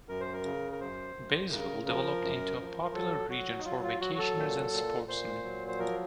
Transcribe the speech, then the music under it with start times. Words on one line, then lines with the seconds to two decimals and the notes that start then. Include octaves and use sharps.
Baysville developed into a popular region for vacationers and sportsmen.
0.08 F#2 A#4
0.21 C5
0.33 A#4
0.44 C#3
0.72 A#4
0.80 F#2 C5
1.16 F#2
1.51 C#3 A#4
1.87 F3 A#4
2.22 F#2
2.58 F3
2.85 A#4
2.94 F#3 A4
3.29 F#3 F#4
3.59 D#4
3.65 F#3 F4
3.83 F4
4.01 F#3 F#4
4.15 F#4
4.18 A4
4.36 A#2
4.72 A#2
5.07 A#2 C5
5.44 F#3
5.68 C5
5.79 F3 A#4